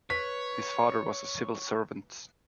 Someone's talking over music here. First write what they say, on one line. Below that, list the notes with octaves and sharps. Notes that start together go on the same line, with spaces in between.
His father was a civil servant.
B4 C#5 B6